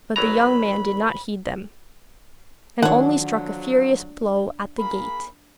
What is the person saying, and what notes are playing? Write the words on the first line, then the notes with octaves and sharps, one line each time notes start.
But the young man did not heed them, and only struck a furious blow at the gate.
G#1 F#3 A#5 B5
D3 D#3 F3 F#3 D4 C#5 F#5
A#3 G#4 B5